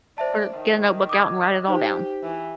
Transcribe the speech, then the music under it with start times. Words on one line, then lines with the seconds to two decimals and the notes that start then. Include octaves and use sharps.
or get a notebook out and write it all down.
0.18 C5 D5 E5 A5
0.54 D#3
1.09 D6 D#6 G#6
1.68 D#4 G4 C5
2.23 E3